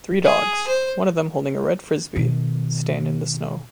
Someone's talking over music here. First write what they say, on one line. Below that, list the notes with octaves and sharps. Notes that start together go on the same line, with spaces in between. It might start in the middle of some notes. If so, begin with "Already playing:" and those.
Three dogs, one of them holding a red Frisbee, stand in the snow.
G#4
C5
B2 D#3